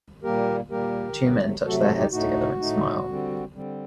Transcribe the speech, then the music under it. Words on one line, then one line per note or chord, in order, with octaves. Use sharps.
Two men touch their heads together and smile.
A#2 G3 A#3 G4 A#4
A#2 G3 A#3 G4 A#4
C3 F#3 A3
C3 F#3 A3 F#4 A4
F#4 A4
D#4 G4
A2 A3 D#4 F#4
A2 A3 D#4
D3 G3 C4
D3 G3 C4